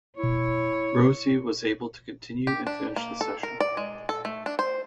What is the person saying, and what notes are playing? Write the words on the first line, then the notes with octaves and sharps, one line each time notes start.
Rossi was able to continue and finish the session.
E4 C#5
G4
D4
A#3
A4
A#4
D5
G#3
A4
A3
D4
C5